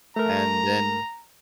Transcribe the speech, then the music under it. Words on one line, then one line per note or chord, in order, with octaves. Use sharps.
and then
A3 A#4 A#5